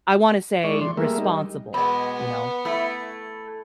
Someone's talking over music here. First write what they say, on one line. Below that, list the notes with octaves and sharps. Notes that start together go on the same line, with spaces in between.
I wanna say, responsible, you know,
G#3 E4 D5 C#6
E3 D5 C6
G3 A3 A#3 G#4 A#4 E5
G3 D#4
B2 G#3 B3 B5
A3 E4